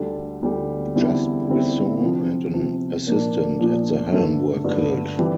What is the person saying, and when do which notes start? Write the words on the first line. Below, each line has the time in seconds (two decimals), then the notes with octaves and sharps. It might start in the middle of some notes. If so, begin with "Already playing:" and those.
Just Buisson and an assistant at the helm were killed.
Already playing: D2 D3 G3
0.42 D2 D3 G3
0.95 E2 D3 G3 C4 E4
1.47 E2 D3 G3 C4 E4
2.01 C3 F3 C4
2.53 C3 F3 C4
3.07 A#2 F3 A#3 D4
3.59 A#2 F3 A#3 D4
4.12 G2 D3 A3 D4
4.64 G2 D3 A3 D4
5.18 E3 G3 C4